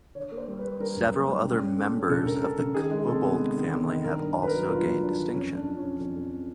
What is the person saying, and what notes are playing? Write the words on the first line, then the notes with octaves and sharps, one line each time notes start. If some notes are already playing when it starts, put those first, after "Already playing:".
Several other members of the Cobbold family have also gained distinction.
D3 C#5
A#3
C5
G3
B4
A#3
G3 A#4
F#2
A#3
G3
C#3
C#4
A3
C#4
C#3 A4
C#3 A#4
C#3 A4
C#3
D#3 G#4
G#3
C3 A4
B3
G#3
D#3
B3
D#3
G2 A#4
G2
G2
B4
A#4
F#3
G2 F4
G2
G2 D4
D3
F2 C#4
F2
D4
F3
C#4
F2
F2
F2